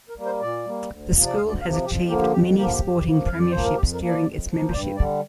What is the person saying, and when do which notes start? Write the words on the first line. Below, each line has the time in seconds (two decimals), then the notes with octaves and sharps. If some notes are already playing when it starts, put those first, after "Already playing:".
The school has achieved many sporting premierships during its membership.
0.09 A#4
0.18 G3 A#3
0.26 C5
0.41 A#2 D5
0.66 G3 A#3
0.89 D2
1.13 C3 F3
1.26 D5
1.37 D2 F5
1.49 D5
1.61 C3 F3 F5
1.73 D5
1.85 F2 G4
2.08 D3 F3 A#3 G4
2.21 G4
2.33 F2 G4
2.57 D3 F3 A#3 G4
2.65 F4
2.72 G4
2.81 F2
3.05 F3 A#3
3.26 F2 F5
3.39 D5
3.51 F3 A#3 C5
3.64 A#4
3.76 F2 G4
3.93 A#4
4.01 F3 A#3
4.08 D5
4.25 F2
4.48 F3 A#3
4.68 C5
4.72 G2 D5
4.96 D3 G3 D5